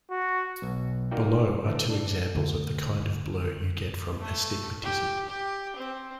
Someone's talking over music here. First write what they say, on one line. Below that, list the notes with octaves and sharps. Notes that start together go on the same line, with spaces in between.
Below are two examples of the kind of blur you get from astigmatism.
F#4
B1
A#3 D#4 F#4 D5 G5
D3 E3 A3
D4
D2 D3
A3
G4
G4
C4